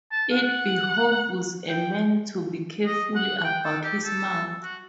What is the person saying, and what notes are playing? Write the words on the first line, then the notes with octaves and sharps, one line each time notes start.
It behooves a man to be careful about his mouth.
A5
F#5
G5
D#5
F#5
F#5
G5
A4
G4
A4
F#4